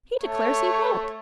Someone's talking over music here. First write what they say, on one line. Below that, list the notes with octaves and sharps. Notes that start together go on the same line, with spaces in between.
He declares he won't.
A3 C#5